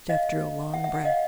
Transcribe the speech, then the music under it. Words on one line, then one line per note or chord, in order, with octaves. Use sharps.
Jeff drew a long breath.
D#5 F5
E5 F#5
E5 F#5
E5 F#5
D#5 F5